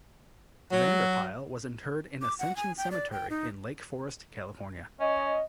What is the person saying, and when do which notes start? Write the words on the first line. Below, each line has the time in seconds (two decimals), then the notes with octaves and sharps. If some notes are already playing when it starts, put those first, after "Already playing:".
Vander Pyl was interred in Ascension Cemetery in Lake Forest, California.
0.71 F#3
2.22 D6
2.39 F#5
2.56 G#5
2.78 G5
2.91 D5
3.12 G5
3.30 D#4
5.00 C#4 D#5